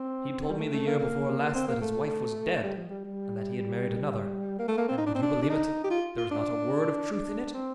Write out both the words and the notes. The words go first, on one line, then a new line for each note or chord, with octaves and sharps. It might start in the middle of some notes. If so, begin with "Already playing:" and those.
He told me the year before last that his wife was dead and that he had married another, and would you believe it, there was not a word of truth in it?
Already playing: C4
G3
A3
A3
A#3
A#3
C4
A#3
A3
G3
F3
G3
G3
A#3
A3
A#3
C4
D#4
D4
C4
D4
D4
D#4
G4
F4
F4
D4
D4
C4